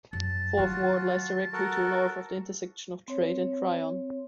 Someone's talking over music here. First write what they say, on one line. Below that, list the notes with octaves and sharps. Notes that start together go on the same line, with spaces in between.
Fourth Ward lies directly to the north of the intersection of Trade and Tryon.
F#2 A5
D#3 F#3 F4 F#4
F#4 A4 A#4
C4 C#5